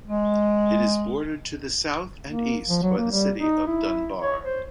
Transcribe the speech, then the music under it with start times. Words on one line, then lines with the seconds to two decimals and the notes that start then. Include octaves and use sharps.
It is bordered to the south and east by the city of Dunbar.
0.07 G#3
2.29 A#3
2.69 F3
2.82 F#3
2.98 A#3
3.12 G3
3.37 D#4
3.67 E4
4.20 C#5
4.43 C5